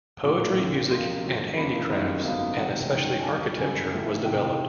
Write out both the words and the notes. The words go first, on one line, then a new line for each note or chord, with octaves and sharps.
Poetry, music and handicrafts and especially architecture was developed.
A#1 A2 F#3 A#3 D6
D#2 C#3 F3
C#2 C#3 F3 A#3 C6
F2 D3 F#3
E2 C#3 F3 A#3 B5
F#2 D#3 G3 A#3
G#1 F#2 D3 F#3 B3 F5
E1 D2 C3 D#3 F#5
G1 F#2 D#3 G5
G#5
D#2 D3 G3 A5
F#1 F#2 D3 G3 G#5
A1 A2 F3 A3
E2 C3 D#3 G5